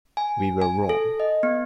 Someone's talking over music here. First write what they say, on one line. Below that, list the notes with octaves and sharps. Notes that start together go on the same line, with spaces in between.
We were wrong.
G#5
G#5
A4
D#5
B3